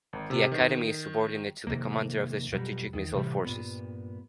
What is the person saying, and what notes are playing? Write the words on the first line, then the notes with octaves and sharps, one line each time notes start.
The academy is subordinate to the Commander of the Strategic Missile Forces.
G#1
C3
D#3
F2 C3 D#3 A#3
F2 B2 F#3 G3
E2 D#3
A2 C3 E3 G3
G2 A#2 B3